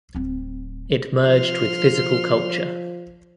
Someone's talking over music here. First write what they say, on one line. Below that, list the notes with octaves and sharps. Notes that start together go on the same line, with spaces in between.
It merged with "Physical Culture".
D1 C4
F3 C6 F6